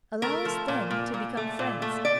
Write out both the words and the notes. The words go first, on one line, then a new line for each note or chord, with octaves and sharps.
Allow us, then, to become friends.
A3 A#4
F3
A#2
A#2
A#2
A3
A#2
A3
D5